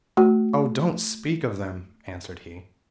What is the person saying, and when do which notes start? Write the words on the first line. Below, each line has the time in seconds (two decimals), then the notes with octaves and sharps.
'Oh! don't speak of them,' answered he.
0.17 A3 F#4